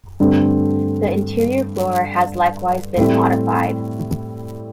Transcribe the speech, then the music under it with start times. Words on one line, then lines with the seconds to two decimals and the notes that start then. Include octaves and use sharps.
The interior floor has likewise been modified.
0.20 G2 D3 A3 C4
2.97 A2 G3 C4 E4